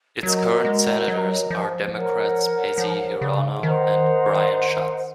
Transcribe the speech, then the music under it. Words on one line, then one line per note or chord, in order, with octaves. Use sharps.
Its current senators are Democrats Mazie Hirono and Brian Schatz.
F#3 F#4 A#4 D#5 A#5
G#3
F#3
F3
A#4 C#5 F#5
F3
C#3
D#3 C5 D#5 F#5 A#5